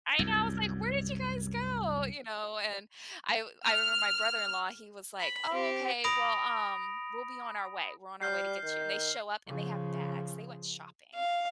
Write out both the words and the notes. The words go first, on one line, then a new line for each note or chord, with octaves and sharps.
I know! I was like, "Where did you guys go?" You know? And I I remember my brother-in-law, he was like, "Oh, okay. Well, um, we'll be on our way. We're on our way to get you." And they show up, and they have bags. They went shopping.
C2 F#2
F6
B5
C4 G4
B5 D#6 A#6 D7 F7
G3 F6 G6 C7
D#3
C#3 F3
F5